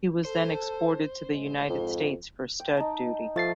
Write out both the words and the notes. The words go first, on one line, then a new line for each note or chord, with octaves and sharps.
He was then exported to the United States for stud duty.
A4 C5
A2 G3 G#3
F2 G#2
G5
D#4 A5
F3 A3 A6 C7